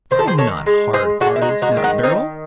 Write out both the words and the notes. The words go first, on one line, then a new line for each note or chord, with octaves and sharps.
"I am not hard-hearted," snapped Beryl.
D#3 C5
A4
G#4 C5
D#3 A4 C#5
G#3
G#3 G#4 C5
G#3 F#4 A4
E4
D#4 F#4
G#3
D#4 F#4
D#3
D#4 F#4
D#3 C4 D#4